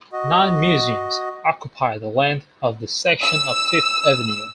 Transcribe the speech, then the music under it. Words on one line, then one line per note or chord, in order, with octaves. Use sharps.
Nine museums occupy the length of this section of Fifth Avenue.
F#4 D#5
E6